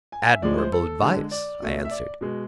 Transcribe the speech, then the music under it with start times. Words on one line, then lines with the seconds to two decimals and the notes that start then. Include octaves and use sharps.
"Admirable advice," I answered.
0.12 G#5
0.22 G#5
0.33 E5
0.42 A2 F3 G#3 D5
0.58 C5
0.72 A4
1.02 D3 G#3
1.31 D5
1.62 B2 A3
1.85 E5
1.91 D5
2.21 B2 G#3